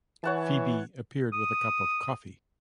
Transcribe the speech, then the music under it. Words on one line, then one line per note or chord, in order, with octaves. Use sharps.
Phebe appeared with a cup of coffee.
E3 C#5 F#5 A5
D#6